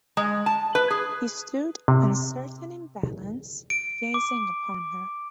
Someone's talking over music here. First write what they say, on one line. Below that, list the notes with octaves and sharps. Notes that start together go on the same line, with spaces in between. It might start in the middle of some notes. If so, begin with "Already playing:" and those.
He stood, uncertain in balance, gazing upon her.
G#3
A5
B4
G#4
C3
D7
D6